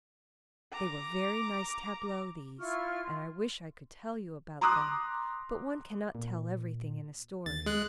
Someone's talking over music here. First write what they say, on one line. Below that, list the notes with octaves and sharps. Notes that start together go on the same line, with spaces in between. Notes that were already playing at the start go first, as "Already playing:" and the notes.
They were very nice tableaux, these, and I wish I could tell you about them; but one cannot tell everything in a story.
A#5 D6
E4 F4 C#6 F6
C6
A#5 C6 D6 D#6 F#6
A#2
D#2 A6
G#3 F#6